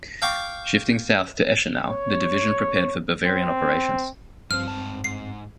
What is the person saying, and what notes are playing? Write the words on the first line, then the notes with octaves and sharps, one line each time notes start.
Shifting south to Eschenau, the Division prepared for Bavarian operations.
F5 G5 C#6 D6
C#5
C4
G2 F3 C4 C5 F6
G#2 A5
G#2 C7